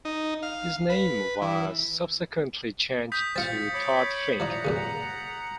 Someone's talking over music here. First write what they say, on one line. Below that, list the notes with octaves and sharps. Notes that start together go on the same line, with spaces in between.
His name was subsequently changed to Todd Fink.
D#4
F5
B4
E3
D#6 G6 B6
C4 F4 A6 C#7
C#5 B5 D6
F3 D4 E4 F#5 A#5
F#2 A#2 C#3